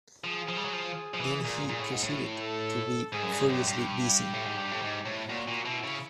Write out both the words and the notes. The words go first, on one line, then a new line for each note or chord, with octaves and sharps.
Then he proceeded to be furiously busy.
F3 G#4
F3
G3
F#3
F3
F3
E3
A#2
A#2
A2
G#2
A2
A4
G#2 G#4
F#2
G2
F#2 G4
G2
A2
G#2
G2
A2
G#2
A2
A#2 F#4
A#2
B2 E4
C#3